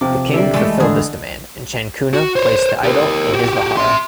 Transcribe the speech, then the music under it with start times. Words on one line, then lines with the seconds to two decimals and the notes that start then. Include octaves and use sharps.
The king fulfilled this demand, and Chankuna placed the idol in his "vihara".
0.01 C3 F3 D6
0.33 D3 A#3 G4 D5 E5
0.54 E3 G#3 A3 A4 D5
0.80 D3 G#4
2.14 F#4
2.36 C5 C#5
2.84 G4 A#4
3.33 F#4 G4
3.77 E5 C6